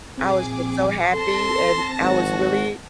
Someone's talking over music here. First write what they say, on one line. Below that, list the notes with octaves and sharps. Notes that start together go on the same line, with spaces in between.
I was just so happy and I was really,
A#1 C4 G#4 D6
C4 A4 A5 C6 A#6
G#1 F#4 F#5